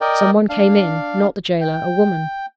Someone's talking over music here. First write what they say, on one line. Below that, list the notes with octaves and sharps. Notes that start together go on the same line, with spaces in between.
Some one came in; not the gaoler--a woman.
A#4 D5 D#5 G5
D4 F5
G5